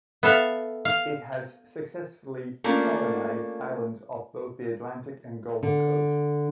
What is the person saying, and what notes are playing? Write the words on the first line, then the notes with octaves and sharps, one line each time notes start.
It has successfully colonized islands off both the Atlantic and Gulf coasts.
B3 A4 E5 F5
F5
A3 A#3 C#4 D4 F4
D3